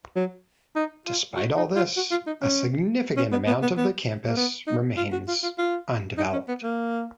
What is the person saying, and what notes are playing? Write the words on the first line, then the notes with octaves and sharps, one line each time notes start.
Despite all this, a significant amount of the campus remains undeveloped.
F#3
D#4
F4
F#4
D#4
F4
F#4
F4
D#4
C#4
C#4
B3
B3
B3
B3
A#3
B3
D#4
F4
F#4
F4
F4
F4
D#4
C#4
B3
A#3